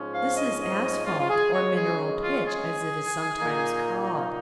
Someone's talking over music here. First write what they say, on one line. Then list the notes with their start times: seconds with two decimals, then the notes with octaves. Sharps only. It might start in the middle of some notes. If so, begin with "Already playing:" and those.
This is asphalt, or mineral pitch as it is sometimes called.
Already playing: G#2 F3 C#4
0.13 F5
0.36 D#5
0.59 D#5
0.83 D#5
1.06 F4
1.20 F4
1.29 G#4
1.52 C#3 G#3 C#4 C#5
1.75 G#4
2.22 F4
2.45 G#4
3.39 A#2 A#3 D#4